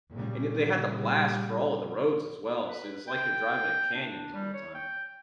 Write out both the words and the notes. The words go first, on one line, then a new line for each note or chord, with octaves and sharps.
and y they had the blast for all of the roads as well, so it's like you're driving in canyons all the time.
A#2 C#3 G3
B4
G5
D4
G3
C#5
G5